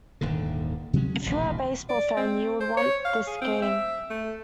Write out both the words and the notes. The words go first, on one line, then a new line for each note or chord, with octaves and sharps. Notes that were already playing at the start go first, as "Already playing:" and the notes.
If you are a baseball fan, you will want this game.
D#1 D#2 G#2 D3
C3 F#3 G#3 C#4
D#1 A1 D2 B2
D5
C4
C5
C#5
F5
G#4
C4
E5
A3